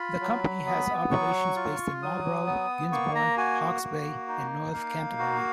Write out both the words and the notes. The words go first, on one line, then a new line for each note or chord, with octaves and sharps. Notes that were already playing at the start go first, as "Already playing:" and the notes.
The company has operations based in Marlborough, Gisborne, Hawke's Bay and North Canterbury.
Already playing: F4 B5
F#3
B3
F#3 C#6
F4
F#3 D#6
B3
A#3 C#6
A#5
F#4 G#5
A#3
D#4
A#3 F5
F#4